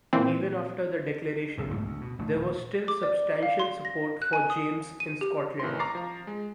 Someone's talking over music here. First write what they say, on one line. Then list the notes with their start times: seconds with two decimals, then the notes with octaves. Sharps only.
Even after the declaration, there was still substantial support for James in Scotland.
0.13 A#2 E3 C4
1.58 F#1 B1 A#2
1.70 B1 G#2 C#3 A3
1.85 D2
2.01 B2
2.19 A1 A3
2.36 D#1
2.88 D6
3.03 D5
3.43 F5
3.60 C6
3.85 A#6
4.22 F#6
4.33 G#5
4.50 D#6
5.00 D#7
5.21 G4
5.60 A1 D#3 E3 C6
5.79 A#5 C#6 D6 A6 A#6 C7
5.95 F3 A#5
6.27 G#3